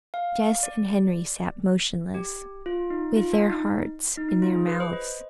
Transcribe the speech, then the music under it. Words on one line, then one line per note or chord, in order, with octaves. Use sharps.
Jess and Henry sat motionless, with their hearts in their mouths.
F5
D5
G4
F4
D#4
F4
D4
D#4
D#4
D#4
F4
G#4
B4
C5
D#5